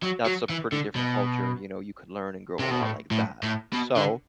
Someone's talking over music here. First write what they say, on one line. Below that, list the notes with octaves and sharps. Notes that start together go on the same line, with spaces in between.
that's a pretty different culture, you know, you could learn and grow a lot like that. So,
F#3
F#3
E3
D3
B2
C3
B2
A2
A2
A2
B2
D3